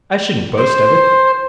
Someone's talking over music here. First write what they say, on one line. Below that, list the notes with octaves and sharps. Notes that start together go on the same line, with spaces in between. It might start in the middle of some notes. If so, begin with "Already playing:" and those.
I shouldn't boast of it.
C5